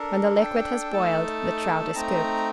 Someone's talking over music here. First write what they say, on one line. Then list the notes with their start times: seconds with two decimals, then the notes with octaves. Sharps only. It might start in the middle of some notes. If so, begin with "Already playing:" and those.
When the liquid has boiled the trout is cooked.
Already playing: D4 A4 A#4
0.41 G5
0.92 A3 D#4 A4 A5
1.94 A3 C4 D#4 A#5